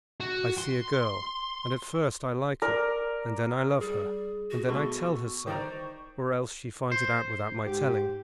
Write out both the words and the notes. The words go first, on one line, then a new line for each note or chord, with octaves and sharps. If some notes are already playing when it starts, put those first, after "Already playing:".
I see a girl, and first I like her, and then I love her, and then I tell her so;--or else she finds it out without my telling.
F#4
C6
A#4 D5
G3 G#4
F#4
B2 G#3 A3 C#6
D#3 C5 D5 A#5
C5
G#2 G4